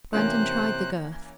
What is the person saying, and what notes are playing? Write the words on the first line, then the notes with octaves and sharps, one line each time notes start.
Brandon tried the girth.
C3 E3 A#3 C#4 C5 F#6